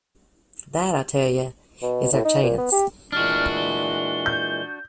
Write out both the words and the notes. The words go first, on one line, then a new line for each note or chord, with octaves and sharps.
That, I tell you, is our chance.
B2
A2
D#4
A#2
B3
G4
A#2 E3 G#3 D4 F#4 F6
G7
G6